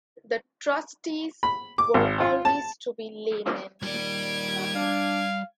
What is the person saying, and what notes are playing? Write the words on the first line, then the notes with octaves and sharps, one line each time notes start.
The trustees were always to be laymen.
B5
D6
G#1
F4
A5
D#2 A#2 D#3 G3 D5 G#6 D7
D4 F5